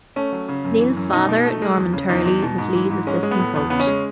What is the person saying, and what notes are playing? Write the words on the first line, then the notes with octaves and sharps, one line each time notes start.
Neil's father, Norman Turley, was Leigh's assistant coach.
A3 C#4
F#3
C#3
F#2
E3
F#2
B2 D#4
B2
A3
G#3
E2
C#3
E2 D#4
E2
B2
G#2
E3
G#2
G#3 C#4
G#3
B3
A2
E2 B3
C#3 B3
C#4
G#3